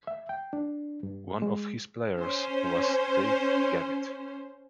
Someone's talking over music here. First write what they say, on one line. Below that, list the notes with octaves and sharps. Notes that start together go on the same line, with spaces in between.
One of his players was Dave Gavitt.
E5
G5
D4
G2
G#3
C#4 C5